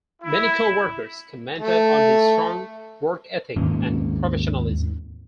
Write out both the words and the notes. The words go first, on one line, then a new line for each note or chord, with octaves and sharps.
Many co-workers commented on his strong work-ethic and professionalism.
E4
A3
D#2 G#2 A#3 C#4